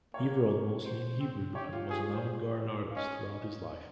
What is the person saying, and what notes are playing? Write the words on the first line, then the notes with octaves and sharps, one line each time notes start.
He wrote mostly in Hebrew, and was an avant-garde artist throughout his life.
A#3 C#5
C5
C4
G4 C#5
F4
G4 G#4
G#4
C5
F5
C#4 D#5